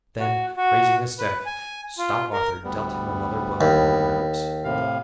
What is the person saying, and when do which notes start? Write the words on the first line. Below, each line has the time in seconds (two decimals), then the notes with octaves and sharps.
Then, raising his staff, stout Arthur dealt him another blow upon the ribs.
0.20 F#4
0.56 F#4
1.19 B4
1.46 G#5
1.98 F4
2.33 A#4
2.64 D2 G3 B3
3.61 D#2
4.64 A2 C3 F5